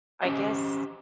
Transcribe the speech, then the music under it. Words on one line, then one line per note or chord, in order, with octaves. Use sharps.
I guess
C#4 G4 C5 D#5